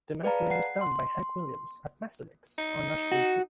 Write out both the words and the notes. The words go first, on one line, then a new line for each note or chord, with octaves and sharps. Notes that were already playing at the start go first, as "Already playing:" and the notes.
The mastering was done by Hank Williams at MasterMix, on Nashville too.
G#4 B4 D5 F5 A5 A#5
F#5 C7
C6
D#4
F#4